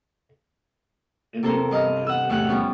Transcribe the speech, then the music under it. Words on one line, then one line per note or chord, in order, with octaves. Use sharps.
Anyone can enter.
C3 C4 A4 A#4 C5
G2 D#5 F5 A5
F#5 E6
E2 A2 G4 F#5 F#6
F3 G3 B3 C#4 G4